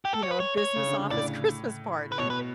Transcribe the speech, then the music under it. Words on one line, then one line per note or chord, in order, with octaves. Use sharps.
You know, a business office Christmas party.
G4
A4
C#5
B4
C#5
C#5
C#3
D3
D3
A2 D5
B4
B2 C#5
B4